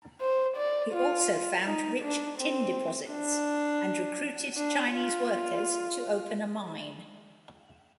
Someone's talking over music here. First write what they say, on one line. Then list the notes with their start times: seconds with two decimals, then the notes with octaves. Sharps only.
He also found rich tin deposits, and recruited Chinese workers to open a mine.
0.21 C5
0.57 D5
0.93 F4
1.66 D#4
2.02 D4
2.39 C4
3.11 D4
4.57 D4
4.93 F4